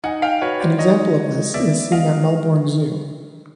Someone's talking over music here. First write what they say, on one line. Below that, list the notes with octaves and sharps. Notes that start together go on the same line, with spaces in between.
An example of this is seen at Melbourne Zoo.
D#4 F#5 G#5
F5 G5
F#4 B4 C#5
C5 D5
D#4 C#5 D#5
G#3
B3 D5 E5
G#3 D#5 F5